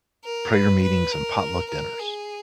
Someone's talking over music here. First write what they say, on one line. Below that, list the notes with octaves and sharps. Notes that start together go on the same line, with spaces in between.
prayer meetings and potluck dinners.
A#4
B4
B4
A#4
A#4
G#4